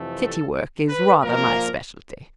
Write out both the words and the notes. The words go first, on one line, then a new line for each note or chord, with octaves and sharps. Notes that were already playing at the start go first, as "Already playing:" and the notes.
"City work is rather my specialty."
Already playing: F2 C3 E3 A3
A4
B4
A#2 F3 A#3 A#4